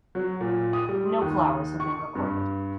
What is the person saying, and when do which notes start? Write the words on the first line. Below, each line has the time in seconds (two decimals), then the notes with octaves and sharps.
No flowers have been recorded.
0.15 F#3
0.41 A#2
0.73 D#6
0.89 G3
1.21 D#2
1.80 C#6
2.15 G2